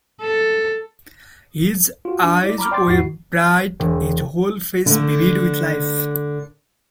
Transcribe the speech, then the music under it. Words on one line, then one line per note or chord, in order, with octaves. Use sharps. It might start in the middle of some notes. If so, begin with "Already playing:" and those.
His eyes were bright, his whole face vivid with life.
A4
F4 F#4
D4
E4 D5
A#5 B5 D6 F6
D5 G5 C6 D6 A6
E2 G#2 E4 F#4 C7
E1
D3 A3